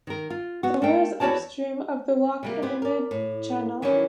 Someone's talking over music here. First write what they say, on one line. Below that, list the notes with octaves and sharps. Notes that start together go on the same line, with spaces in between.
The weir is upstream of the lock and in the mid-channel.
D#3 A#4
F4
B3 F#4
A3 A#4 G5
E2 E4 F#4 C#5 D5 A5
C3 G3 A#3
B3 E4 G4 C5
A#4 D5
A2
D#3 E3 F#3 G3 C#4